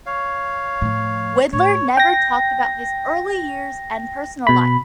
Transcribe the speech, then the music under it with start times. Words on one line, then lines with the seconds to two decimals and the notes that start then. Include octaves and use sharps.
Widlar never talked about his early years and personal life.
0.06 C#5 F5
0.82 A2 F3
1.53 A2 C#5
1.97 G5 A#6
4.47 B2 B5